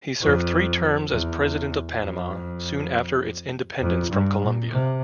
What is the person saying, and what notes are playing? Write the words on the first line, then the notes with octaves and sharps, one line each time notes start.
He served three terms as President of Panama soon after its independence from Colombia.
F2
E2
F2
F2
G2
A#2
C3